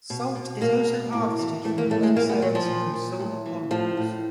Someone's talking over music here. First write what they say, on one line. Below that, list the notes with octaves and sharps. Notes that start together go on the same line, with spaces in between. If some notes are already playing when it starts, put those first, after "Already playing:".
Salt is also harvested from the lake surface and from solar ponds.
B2
B2
B2 A#3
B2
A2
E3
E3 A3
A#3
A2 A3
G#3
A#2 A#3
B3
A#2 F#3
F3
A#2
A#2
A2
E3
A2 F3
A2